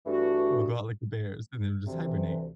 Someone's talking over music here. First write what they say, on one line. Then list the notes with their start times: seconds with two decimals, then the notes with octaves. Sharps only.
We'll go out like the bears, and then we'll just hibernate.
0.06 G2 E3 A3 D4 F#4
1.86 D2 C3 E3